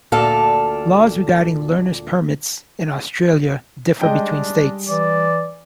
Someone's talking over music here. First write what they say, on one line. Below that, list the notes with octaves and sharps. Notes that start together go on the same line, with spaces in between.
Laws regarding learner's permits in Australia differ between states.
D2 A#2 D4 A4 F5
G3 G#3 D4 D#5 G5
E3 D5